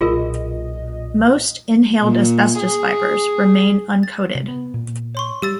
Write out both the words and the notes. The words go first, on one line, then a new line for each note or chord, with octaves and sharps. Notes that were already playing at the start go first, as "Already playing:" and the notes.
Most inhaled asbestos fibers remain uncoated.
B1 A#2 F4 G#4 A#4 D#5
A#2
G#4
A6
C3
B3
A#2
C#5 C6 C#6
G3 G4 E6 A6